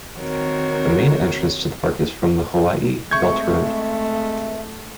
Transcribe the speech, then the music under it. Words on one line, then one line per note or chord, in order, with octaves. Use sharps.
The main entrance to the park is from the Hawaii Belt Road.
D#3 C4 F#4 A#4 C#5
G#3 A3 C4 E5 C#6 G6 G#6